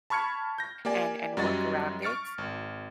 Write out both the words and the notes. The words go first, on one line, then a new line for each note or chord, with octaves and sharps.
and and work around it.
A5 B5 C#6 F6 G#6 C#7
G6 A#6
A#3 G4 D5 G#5
F#2 F#3 G3 F#4 D#5 A6
C#6 F6 A6 C#7 D7
G#1